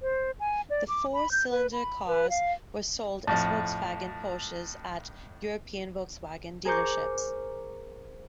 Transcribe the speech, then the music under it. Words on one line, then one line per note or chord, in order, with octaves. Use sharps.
The four-cylinder cars were sold as Volkswagen-Porsches at European Volkswagen dealerships.
C5
G#5
D5
D6
B5
G6
B4
B5
B4
F5
F2 A2 A5
G#4 A#4 C5 C#6 D6 G6